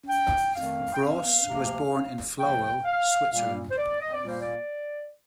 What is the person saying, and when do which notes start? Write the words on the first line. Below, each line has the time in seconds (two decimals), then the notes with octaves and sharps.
Gross was born in Flawil, Switzerland.
0.09 G5
0.54 F2 D#3 A3 F5
0.94 G5
1.01 F5
1.47 D2 C3 F3 A#3
2.39 D2 C3 F3 A#3 G5
2.85 F5
3.31 A#2 G3 A#3 F5
3.70 C5
3.77 D5
4.00 D#5
4.13 D5
4.23 A#2 G3 A#3 C5
4.40 D5